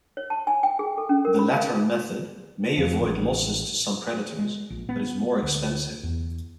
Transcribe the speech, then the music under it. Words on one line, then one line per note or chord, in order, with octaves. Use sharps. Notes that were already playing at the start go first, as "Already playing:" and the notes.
The latter method may avoid losses to some predators, but is more expensive.
C#5
A5
G#5
G5
G#4
A4
C#4
A#4
B5
F5
F2
A1
G#3
A#1
B3
D2
E2